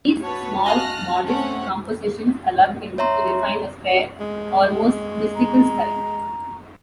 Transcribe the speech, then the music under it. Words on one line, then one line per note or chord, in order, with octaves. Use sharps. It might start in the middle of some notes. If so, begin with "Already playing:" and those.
These small, modest, compositions allowed him to refine a spare almost mystical style.
F#4 B4 C#5 A5
D#5 F5 G#5 F6 F#6 A#6
A3 C4 C#4 F#5
C#5 E5 A#5 C6
G#3
A#5